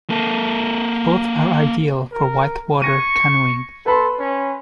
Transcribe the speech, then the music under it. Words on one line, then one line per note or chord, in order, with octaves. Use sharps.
Both are ideal for whitewater canoeing.
A#3 A4
A#4
C#6 G#6 A#6 D#7
A4 B4 B5 C6
C#4